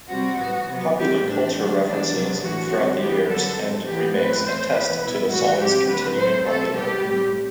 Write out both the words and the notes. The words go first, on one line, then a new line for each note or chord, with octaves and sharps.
Popular culture references, throughout the years and remakes attest to the song's continuing popularity.
C3 G3 C4 F#4
A2 E3 B3
C3 F#3 B3
E3 G3 C4 G4
A2 E3 A3 C4 D4
D3 F#3 A3 D4
E3 G3 B3 D4
C3 F#3 B3
A2 E3 A3 F#4
D3 G3 C4
E3 B3 G4
D3 F#3 B3 A4
A2 G3 C4
E3 B3 G4
A2 F#3 A3 C4 B4
E3 A3 C4 C5
E3 B3 B4
B2 G3 B3 E4
A2 E3 A3 F#4
A2 F#3 C4 G4
D3 F#3 A3 C4 B4
A2 F#3 A3 C4 C5
B2 A3 C4 A4
B2 G3 B3 G4
A2 G3 C4